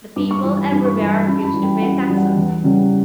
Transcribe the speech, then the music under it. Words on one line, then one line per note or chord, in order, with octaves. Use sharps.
The people everywhere refused to pay taxes.
G2 D6
C#6
E3 G3 C#6
B5
G2
C#6
E3 G3 B5
A5
F#2 B5
A5
B5
E3 G3
G5
F#2 F#5
E3 G3
F#5
E2
C#3 G3